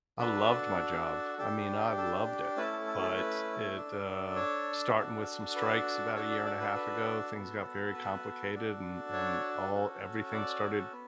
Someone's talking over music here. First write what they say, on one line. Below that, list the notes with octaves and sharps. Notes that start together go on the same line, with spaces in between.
I loved my job. I mean, I loved it. But it, uh starting with some strikes about a year and a half ago, things got very complicated and and all everything started
D4 F#4 A4 B4
D4 G4 A4
A4
A3 C#4 E4 A4 B4
A4
A4
A4
B4
D4 A4
C#5
D4 F#4 A4
B4
D4 F#4 A4 C#5
D5
D5
B4
B4
B3 F#4 A4
B4
D4 F#4 A4
C#5
C#4 F#4 A4
D5
B3